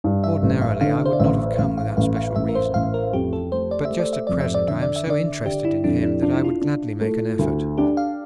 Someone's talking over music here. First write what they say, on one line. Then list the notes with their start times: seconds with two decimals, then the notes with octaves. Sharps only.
Ordinarily I would not have come without special reason, but just at present I am so interested in him that I would gladly make an effort.
0.04 G2
0.24 E5
0.43 A1
0.62 F5
0.81 D3 F5
1.05 C5
1.13 D5
1.20 A1 E5
1.58 A1 F5
1.78 F5
1.97 A1 F5
2.17 F5
2.36 A1 E5
2.49 A#4
2.55 C5
2.74 A1 F5
2.94 A#4
3.13 F2 G4
3.33 A4
3.52 A3 C5
3.71 D5
3.85 E5
3.90 A3
4.00 D5
4.13 E5
4.27 F2 D5
4.40 E5
4.54 D5
4.68 D3 E5
4.82 D5
4.96 E5
5.07 D3 D5
5.46 D3 G4
5.65 E4
5.84 F2 D4
6.04 E4
6.22 D4 F4
6.34 E4
6.44 F4
6.61 D4
7.01 A3
7.39 D2
7.78 D4 G4
7.97 F5